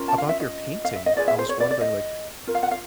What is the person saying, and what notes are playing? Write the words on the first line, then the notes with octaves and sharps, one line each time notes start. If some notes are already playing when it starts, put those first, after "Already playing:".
about your painting, I was wondering, like,
Already playing: C#4 F4 A#4
A5
F5
E5
D#5
F5
E5
D#5
F4 G#4 B4 D5
E5
C5
C#5
D5
D5
D#5
F4 A#4
F5
F#5
F5